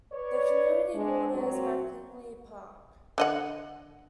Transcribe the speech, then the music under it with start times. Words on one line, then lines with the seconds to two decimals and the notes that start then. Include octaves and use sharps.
The community borders McKinley Park.
0.12 B4 C#5 D5
0.94 G#3 D4
1.34 A#2 F#3 C4
3.18 D3 D#5 F#5